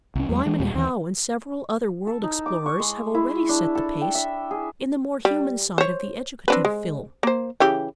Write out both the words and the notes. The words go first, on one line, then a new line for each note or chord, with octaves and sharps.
Lyman Howe and several other world-explorers have already set the pace in the more human side of the educative film.
C2 C#4
E2 F#3 G#3
E3 G#3
D#2 A#2 G3 G#3
D#2 E3
A4
D#4
D6
C#6
G#3
E4
D4
A4
G5
E5
G#4
G3
C5 C#5
C4 D4 B4
G#3
A#3 C5
C#3 E3 G4